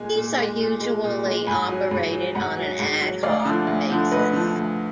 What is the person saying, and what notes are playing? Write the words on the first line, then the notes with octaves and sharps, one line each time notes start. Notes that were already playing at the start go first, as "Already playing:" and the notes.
These are usually operated on an ad-hoc basis.
Already playing: A#2 G#3 G#5
A#2
G#3
A#2
G#3
A#2
G#3
G#2 G#5 B5
F#3
G#2
F#3
G#2 F#5 A#5
F#3
G#2
F#3
D2 D5 F5
D3 F3
D2
D3 F3
D2 B4 D#5
D3 F3
D2